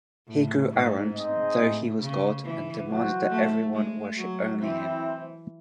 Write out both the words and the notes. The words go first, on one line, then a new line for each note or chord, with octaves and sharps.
He grew arrogant, thought he was God, and demanded that everyone worship only him.
A2
G#2
C4 D#4 G#4 D#5
A2
C#3
E3
F#3 F#4 C5 F#5
A3
G#3
F#3
E3 C4 E4 C5 E5